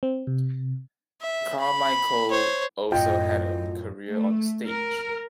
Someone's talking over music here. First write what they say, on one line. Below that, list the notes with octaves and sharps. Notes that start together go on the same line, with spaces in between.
Carmichael also had a career on stage.
C4
C3
E5
B5
C5 C#5
F#2 A2 F4 D#5 G5
A3
A#4